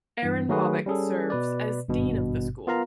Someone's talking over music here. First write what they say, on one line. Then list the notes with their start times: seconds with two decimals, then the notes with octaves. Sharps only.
Aaron Bobick serves as dean of the school.
0.23 G2 E3
0.49 D#3 F#3 A3 F#4 G#4 B4
0.86 G3 C#4 G#4 A4
1.30 B2 B4 D5
1.88 G#1 G2 B2
2.67 B3 F4 A#4 F5 A#5